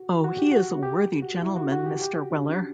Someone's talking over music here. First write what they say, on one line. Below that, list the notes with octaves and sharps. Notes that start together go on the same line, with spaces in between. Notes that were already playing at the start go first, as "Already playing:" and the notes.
Oh, he is a worthy gentleman, Mr. Weller!
Already playing: F#4
F#4
G4
F#4
G4
F#4
E4
F#4
F#4
G4
G4
F#4
D4
C#4